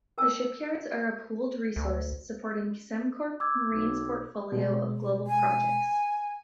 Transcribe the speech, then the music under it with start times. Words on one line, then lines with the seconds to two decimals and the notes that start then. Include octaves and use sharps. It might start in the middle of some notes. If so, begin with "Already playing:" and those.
The shipyards are a pooled resource, supporting Sembcorp Marine's portfolio of global projects.
0.18 A#4 G5 A5 E6
1.76 D2
3.40 D6 E6 G#6
3.73 B1
4.52 B2 G#3
5.27 G#5